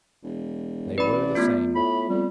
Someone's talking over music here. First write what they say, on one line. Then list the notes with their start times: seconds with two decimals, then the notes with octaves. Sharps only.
They were the same.
0.23 E1
0.98 A1 B4 D5 B5
1.35 A3 B3 F4
1.75 A2 B5
2.09 F2 G3